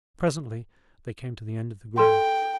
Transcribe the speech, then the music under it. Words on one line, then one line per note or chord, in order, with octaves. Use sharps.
Presently they came to the end of the grove.
A4 G5 C6